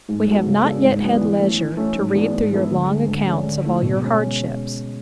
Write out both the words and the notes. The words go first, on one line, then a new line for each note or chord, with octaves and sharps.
We have not yet had leisure to read through your long accounts of all your hardships.
G#2
G#3 B3 F#4 A4
C#3
G#3 B3 D4 A4
G#2
F#3 B3 D4
E3
A3 C#4
E3
A3 C#4
G#2
E3 B3 D4 G#4
G#2
E3 B3 E4 A4
D2
D3 G#3
D2
D3 G#3 C#4
D3
A3 E4
B2
G#3 C#4